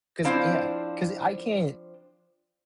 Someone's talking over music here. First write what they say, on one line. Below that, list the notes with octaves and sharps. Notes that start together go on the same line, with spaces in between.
'cause, yeah 'cause I can't
F3 C4 D4 E4 C5 F5